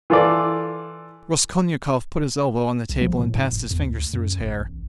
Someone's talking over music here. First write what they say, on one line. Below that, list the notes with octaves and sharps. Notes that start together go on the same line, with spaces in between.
Raskolnikov put his elbow on the table and passed his fingers through his hair.
E3 F4 A4 D5
B1
F3
A2
G#2
F1
E2
D2
F#2
F#1
A1